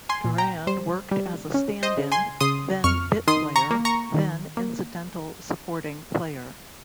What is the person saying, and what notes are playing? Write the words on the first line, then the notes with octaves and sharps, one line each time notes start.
Doran worked as a stand-in, then bit player, then incidental supporting player.
G#5 C6
A#2
G5 A#5
G3 C5
G3
C#4
C5 D#5
C#3
G#5 C6
C#3 C6 D#6
F2 C#6 F6
D#3 C6 D#6
A#5 C#6
A#3
A#5 C#6
D#3
A#3